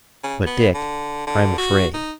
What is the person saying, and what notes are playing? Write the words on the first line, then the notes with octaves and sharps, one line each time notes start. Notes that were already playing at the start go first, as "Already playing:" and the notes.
But, Dick, I'm afraid.
C#3
B3
D3
D3
F#4
D#4